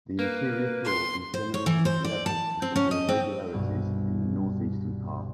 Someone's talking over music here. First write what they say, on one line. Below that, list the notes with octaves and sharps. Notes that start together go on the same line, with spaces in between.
The interior floor is generally level with some irregularities in the northeastern part.
A#3 B4
C6
C5
C#5
E3
C5
D5
A5
C4
C#4
D#5
C4
C2 G2 B2